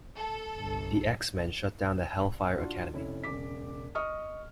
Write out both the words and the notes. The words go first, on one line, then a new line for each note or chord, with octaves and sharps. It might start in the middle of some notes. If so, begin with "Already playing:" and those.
The X-Men shut down the Hellfire Academy.
A4
G1 C2
D4 F4 F#4
F1 C#4 E4
E1 C#3 D6 B6
D#5 C#6 D#6 F6